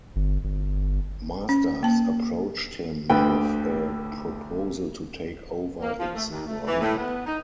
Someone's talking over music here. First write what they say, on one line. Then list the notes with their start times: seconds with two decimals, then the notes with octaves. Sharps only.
Masters approached him with a proposal to take over its running.
0.16 G1
0.44 G1
1.49 C#4
1.83 A#3 A5
3.10 D2 D3 B4 G5
5.80 A#3
5.99 F3
6.15 A3
6.28 D#2
6.46 A3
6.66 E3
6.80 A2
6.97 B3
7.25 D#4